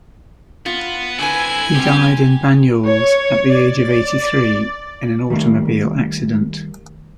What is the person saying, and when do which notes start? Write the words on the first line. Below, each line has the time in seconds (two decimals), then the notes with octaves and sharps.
He died in Banyuls at the age of eighty-three, in an automobile accident.
0.66 B3 F4
1.19 D3 C4 E4 B4 G#5
1.75 G3 C4 G4
2.87 C#5
3.52 D5
5.30 D#3 G3 A3 A#3